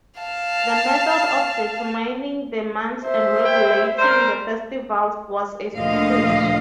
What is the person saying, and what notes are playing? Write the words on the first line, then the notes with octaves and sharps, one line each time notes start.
The method of determining the months and regulating the festivals was a secret.
F5 A5
C5 E5
E4 C#5 G5
G3 A#4 C5
D2 A#2 D3 F3 D#5 F5